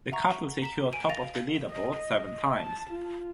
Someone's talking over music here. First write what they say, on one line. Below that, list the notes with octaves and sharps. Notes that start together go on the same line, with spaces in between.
The couple secured top of the leaderboard seven times.
E5 F#5 A#5 C#6
A#5 B6 E7
G#5 D7 D#7
F5 A6 A#6 F7
D#5
D#5
A5
F4